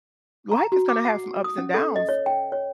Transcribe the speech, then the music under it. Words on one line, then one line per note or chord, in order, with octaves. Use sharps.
w life is gonna have some ups and downs."
A#5
F#4
D6
F#5
D#6
C#4
A4
D#5
C#5
G5
C#5